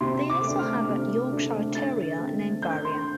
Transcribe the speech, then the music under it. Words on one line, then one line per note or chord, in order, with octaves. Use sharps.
They also have a Yorkshire Terrier named Varia.
C3 C6
D6
A3 D4
F6
C3
A3 D4
D3 A6
A3 C4
D3 G6
C6